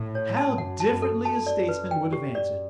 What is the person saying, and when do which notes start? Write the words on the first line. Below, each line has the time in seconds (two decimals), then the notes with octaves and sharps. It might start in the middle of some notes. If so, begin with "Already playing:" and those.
How differently a statesman would have answered!
Already playing: A2
0.15 C#5
0.37 A5
0.58 F#2 F#5
0.80 A5
0.89 F#2
1.02 A4
1.17 F#2
1.25 A5
1.46 D5
1.69 B4
1.91 G5
2.13 G4
2.35 F#2 D5